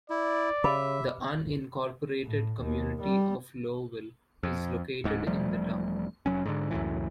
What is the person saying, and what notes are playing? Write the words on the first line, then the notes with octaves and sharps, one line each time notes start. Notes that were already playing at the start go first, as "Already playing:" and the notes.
The unincorporated community of Lowville is located in the town.
E4 D5
C#3 G4 E5 B5 D6
A2
D#2
G3
F2
D1 G#2
E1 F3 G3 A3
F1 F#3 C#4
G#2 D3
C#2 F#2 A2 E3